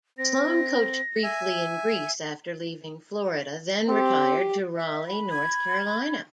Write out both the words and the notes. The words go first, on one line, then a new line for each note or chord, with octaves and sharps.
Sloan coached briefly in Greece after leaving Florida, then retired to Raleigh, North Carolina.
C4 A#6
E5 G#5
C4 G4
E5
B5
G#6